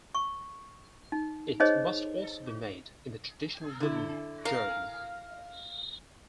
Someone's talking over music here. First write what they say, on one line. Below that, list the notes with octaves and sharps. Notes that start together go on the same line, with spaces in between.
It must also be made in the traditional wooden 'gerle'.
C#6
D#4
D#4 G#4 C5 C#5 D#5
D3 E4
A#4 F5